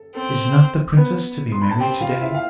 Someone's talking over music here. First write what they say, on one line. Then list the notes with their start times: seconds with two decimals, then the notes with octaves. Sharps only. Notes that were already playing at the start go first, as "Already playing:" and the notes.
'Is not the princess to be married to-day?'
Already playing: A4
0.15 C4 A4
0.97 B3 B4
1.52 C6
1.62 B5
1.71 A5
1.79 C4 G4 G5
2.01 F4 F5
2.21 E4 E5
2.34 F5